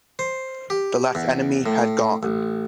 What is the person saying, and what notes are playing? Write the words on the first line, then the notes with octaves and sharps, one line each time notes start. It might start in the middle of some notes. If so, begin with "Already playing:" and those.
The last enemy had gone.
C5
G4
E2
A2
A1